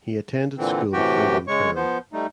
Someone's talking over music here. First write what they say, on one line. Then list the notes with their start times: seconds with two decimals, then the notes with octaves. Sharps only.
He attended school for one term.
0.58 A#2 D3 E3 C4
0.93 A2 C3 E3 F#4 G4 G5
1.48 C#3 G#3 C#5 C#6
1.76 F3 B3 C5
2.13 G3 A3 D#4